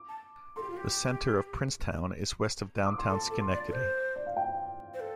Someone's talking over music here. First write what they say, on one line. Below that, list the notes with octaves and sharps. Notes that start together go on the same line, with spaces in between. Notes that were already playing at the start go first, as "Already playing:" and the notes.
The center of Princetown is west of downtown Schenectady.
Already playing: D6
A5
A4 C6
G4
F4
G4
D6
C6
A4 A5
A4
C6
D5
A4
C5
D5
F5
G5
C5
A4